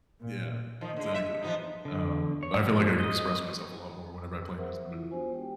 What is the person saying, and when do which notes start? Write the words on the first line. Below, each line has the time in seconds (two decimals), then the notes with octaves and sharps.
yeah, exactly, um, I feel, like, I could express myself a lot more whenever I play an instrument.
0.20 A#2
0.81 D#3 F3
0.96 D3 G#3
1.15 E5
1.43 F3 B3 D#4
1.85 D3
2.43 C#5
2.63 F3
2.99 D#5
4.56 G#4 A#4 C5 E5 F#5
4.91 E4 F4
5.11 B3 D4 F4 F#4 C5 G#5
5.31 G#3 G4 G5